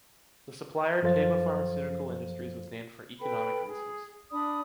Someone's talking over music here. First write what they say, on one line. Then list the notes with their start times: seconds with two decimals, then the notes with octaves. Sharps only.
The supplier Teva Pharmaceutical Industries was named for economic reasons.
1.02 F#2 F3 A4 C5 F5 A6
3.20 A4 B4 G5 B5
3.66 G#4
4.31 D4 D5 B5 D#6